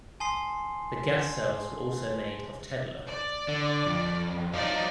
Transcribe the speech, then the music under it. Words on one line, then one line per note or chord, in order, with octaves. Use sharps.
The gas cells were also made of Tedlar.
G#5 A5 C6 D#6 C7
D5
D3
F2
F#3 D#4 C5 D5 F5